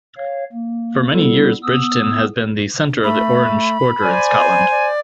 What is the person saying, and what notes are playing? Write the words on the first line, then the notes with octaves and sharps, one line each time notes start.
For many years Bridgeton has been the centre of the Orange Order in Scotland.
C#5 F5
A#3
G3 B3 E4 A4
B3 D#6 E6
A3 B5
C5 D5 G#5
D5